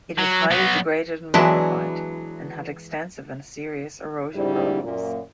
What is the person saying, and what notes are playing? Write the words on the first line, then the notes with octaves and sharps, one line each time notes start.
It was highly degraded and modified, and had extensive and serious erosion problems.
F#3
F#3 B3
E3 F#3 G#3 B3 D4 E4 E5 A5
F2 G#2 D3 G3 E4
F#2 A#2